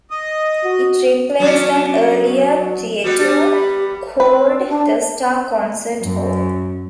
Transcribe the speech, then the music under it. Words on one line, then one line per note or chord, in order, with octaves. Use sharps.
It replaced an earlier theatre called the Star Concert Hall.
D#5
F#4
F#3 B3 C#4 D4
G3 B3 F#4 B4
D4 G4
B5
C4 B4
D4
F#2